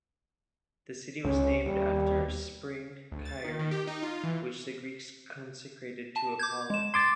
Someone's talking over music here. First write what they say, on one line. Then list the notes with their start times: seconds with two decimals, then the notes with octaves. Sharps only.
The city was named after a spring, Kyre, which the Greeks consecrated to Apollo.
1.25 C#2 C#4
1.65 D#2 G3
3.12 D2
3.25 A6
3.44 D#3
3.59 D#3
3.71 G4
3.87 D#4
4.03 F4
4.24 E3
6.16 A5
6.39 D6 G6 G#6
6.70 G#3 E7
6.94 C6 D6 G#6 A6